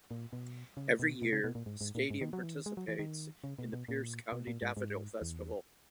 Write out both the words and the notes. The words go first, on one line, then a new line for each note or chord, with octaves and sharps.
Every year, Stadium participates in the Pierce County Daffodil Festival.
A#2
B2
C#3
B2
B2
C#3
B2
A#2
G#2
G#2
A#2
G#2
D#3
F#3
E3
D#3
G#3
F#3
E3
D#3
C#3
B2
B2
A#2
B2
A#2
G#2
G#2
E2